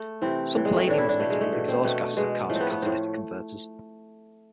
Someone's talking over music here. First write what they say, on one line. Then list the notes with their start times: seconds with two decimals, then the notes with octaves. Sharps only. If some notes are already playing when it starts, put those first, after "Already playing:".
Some palladium is emitted with the exhaust gases of cars with catalytic converters.
Already playing: A3
0.22 C3 E3 C4
0.54 A2 E3
0.65 G#3
0.76 A3
0.87 A2 E3 D4
0.98 E4
1.09 D4
1.19 B2 A3
1.30 G#3
1.41 A3
1.52 B2
1.68 C4
1.84 B2 A3
2.17 B2 G#3
2.49 A2 F3 A3
2.56 B3 C4
2.71 B3
2.82 A2 F3 C4